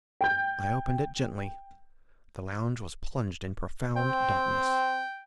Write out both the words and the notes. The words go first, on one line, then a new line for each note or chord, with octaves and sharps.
I opened it gently. The lounge was plunged in profound darkness.
G5 G6
C4 G5